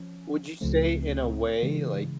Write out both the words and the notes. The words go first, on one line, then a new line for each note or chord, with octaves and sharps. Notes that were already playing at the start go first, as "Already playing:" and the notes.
Would you say in a way like,
Already playing: F3 C#4
C#2 C#3 F3 A3 C4
C#3 E3 G#3